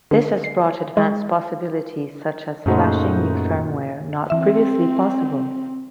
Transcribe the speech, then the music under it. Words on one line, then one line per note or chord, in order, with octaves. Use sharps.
This has brought advanced possibilities such as flashing new firmware, not previously possible.
D3
C7
G#3
F#2 A#2 C#3 A3 D#4 F#4 C5
E3 C4 E5